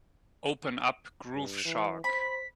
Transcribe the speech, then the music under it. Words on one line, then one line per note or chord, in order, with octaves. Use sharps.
Open up Groove Shark.
G2
E3
C5 B5 B6